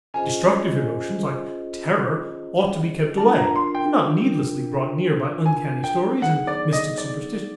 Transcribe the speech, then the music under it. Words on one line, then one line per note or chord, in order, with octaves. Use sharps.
Destructive emotions like terror ought to be kept away and not needlessly brought near by uncanny stories and mystic superstitions.
C#4 F4 G#4 C5 D#5 G#5
D4 F4 A#4 A5
A#5
C6
G5
G#5
G5
F#3 B3 D#4 G#4 F#5
D5
D#5
D5